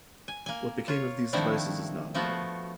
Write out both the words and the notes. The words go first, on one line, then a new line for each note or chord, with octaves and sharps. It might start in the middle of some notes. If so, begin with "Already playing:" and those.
What became of these devices is not known.
G#5
A#3 G#5
F4 C#5
D#3 F3 A3 C4 D4 E4
F3 A3 B3 F4 F#4